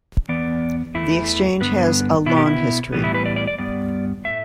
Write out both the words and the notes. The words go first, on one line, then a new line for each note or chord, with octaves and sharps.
The exchange has a long history.
E2 E3 B3 D5
E2 E3 A3 E4
G2 D3 B3 B4
B2 B3 E4
G4
E4
A2 E3 G3 B3
E4
B4
D5
D5
D5
G2 G3 B3 D5
A2 A3 E5